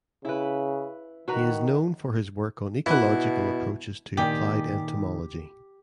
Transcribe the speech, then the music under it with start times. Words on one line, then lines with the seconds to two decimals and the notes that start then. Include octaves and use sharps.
He is known for his work on ecological approaches to applied entomology.
0.25 C#3 E4 B4
1.28 D#3 F#4 B4 A#5
2.86 B2 E3 E4 F#5
4.17 A#2 D#3 G4 G#5